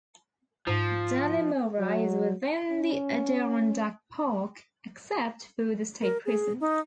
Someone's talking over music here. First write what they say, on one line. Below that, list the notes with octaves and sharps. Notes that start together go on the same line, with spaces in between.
Dannemora is within the Adirondack Park except for the state prison.
G#2 F3
F#3
C#4
A#4
G#4
D#4